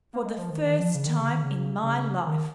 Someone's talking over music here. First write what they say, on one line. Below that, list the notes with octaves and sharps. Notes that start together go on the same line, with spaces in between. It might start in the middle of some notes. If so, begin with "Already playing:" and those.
"For the first time in my life!"
A#3
G#3
F3
D#3
D#3
F3
C#3
D#3
C#3
D#3
C#3
C#3
D#3